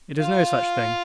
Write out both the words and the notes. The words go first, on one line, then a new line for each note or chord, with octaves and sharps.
It is no such thing.
F4 F5